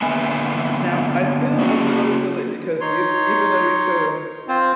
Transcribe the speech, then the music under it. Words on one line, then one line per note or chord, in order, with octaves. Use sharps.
Now, I feel a little silly because you even though you chose
D3 A#3 B3 E5 F#5 G#5
A#3 C#4 F#4
D#4 C#5 C6
C4 F4 C5